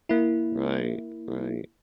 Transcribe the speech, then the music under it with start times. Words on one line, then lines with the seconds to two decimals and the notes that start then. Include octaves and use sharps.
Right, right.
0.09 A#3 E4